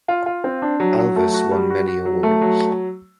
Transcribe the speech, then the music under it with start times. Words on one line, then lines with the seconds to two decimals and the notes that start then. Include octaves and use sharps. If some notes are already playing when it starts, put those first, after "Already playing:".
Alves won many awards.
0.08 F4
0.26 F4
0.44 C4
0.62 D4
0.80 F#3
0.98 F#3
1.16 A3
1.34 F#4
1.51 G3
1.70 F#4
1.87 F#4
2.05 F#3
2.23 A3
2.41 F#3